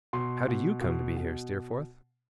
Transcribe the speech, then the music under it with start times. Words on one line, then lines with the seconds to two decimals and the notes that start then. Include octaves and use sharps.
How do YOU come to be here, Steerforth?'
0.13 B2 C6
0.48 B2
0.82 B2
1.17 B2